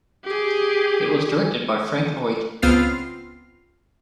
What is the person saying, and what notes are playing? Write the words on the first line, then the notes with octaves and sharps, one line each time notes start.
It was directed by Frank Lloyd.
G4 G#4
C#2 B3 C4 F4 F6 C7